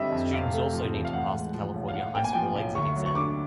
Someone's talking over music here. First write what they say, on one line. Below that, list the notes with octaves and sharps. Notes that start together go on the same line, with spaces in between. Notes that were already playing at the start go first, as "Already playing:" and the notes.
Students also need to pass the California High School Exit Exam.
Already playing: F#2 D3 G3 C4 D#5 E5
F2
C3 F5
A3
F3
E2
F5
A2 F#5
G#3
F3
B1
F5
A2 F#5
A#3 G5
G#5
F3 G5
B1
D2 C#6
F#3
C#6
D3 D6